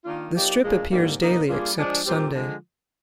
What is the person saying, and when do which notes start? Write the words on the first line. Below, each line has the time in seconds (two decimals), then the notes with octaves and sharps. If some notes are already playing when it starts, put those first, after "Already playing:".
The strip appears daily except Sunday.
0.05 D#3 A#3 D4 F4
0.33 F3 A#3 D#4 G4 D5
0.62 A#2 F3 G#3 D4
0.91 G#2 D#3 G3 A#3 F4
1.19 C3 D#3 A#3 D#4
1.48 G3 A#3 D4 F4 G#4
1.76 F3 G#3 D4 G#4
2.05 A#2 G3 C4 G4 C5
2.33 D3 F3 G#3